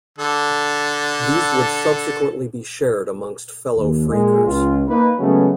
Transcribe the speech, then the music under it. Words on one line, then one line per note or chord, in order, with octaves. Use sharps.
These would subsequently be shared amongst fellow phreakers.
D3 A4
D#2
A#2 G#3
C#2 F4
A#3 D#4 B4
C#3 F#3 G#3 A3 B3 C#4